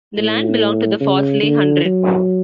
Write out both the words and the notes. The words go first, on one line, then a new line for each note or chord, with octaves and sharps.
The land belonged to the Fawsley Hundred.
A2
C#3
D3
F#3